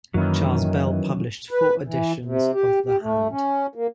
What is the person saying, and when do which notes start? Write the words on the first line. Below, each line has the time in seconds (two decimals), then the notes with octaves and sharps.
Charles Bell published four editions of "The Hand".
0.14 F#2 D#3 E3 F#3 A#3 C#4
1.51 B4
1.86 E3
2.25 C3
2.53 G4
2.85 G4
3.02 A3
3.31 C#4
3.75 A#3